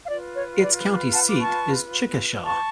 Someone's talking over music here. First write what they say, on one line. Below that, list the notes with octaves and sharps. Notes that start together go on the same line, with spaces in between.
Its county seat is Chickasha.
F5
F4 B4 D5
C#5
D5
F#5 A5
D6
A5 C#6
A5 C#6